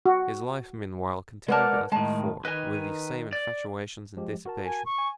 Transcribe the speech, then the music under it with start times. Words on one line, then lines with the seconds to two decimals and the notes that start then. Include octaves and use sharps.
His life meanwhile continued as before, with the same infatuations and dissipations.
0.06 F#4
1.48 G#3 A#4 B4 C#5 D5 F#5 A5
1.92 A2 D#3 G#3 A5
2.45 D#3 B4 D#5 G#5
3.33 D5
4.17 F3 G#3 G4
4.46 F#4 A#4 A5
4.65 G#5
4.86 C#6
4.98 G#5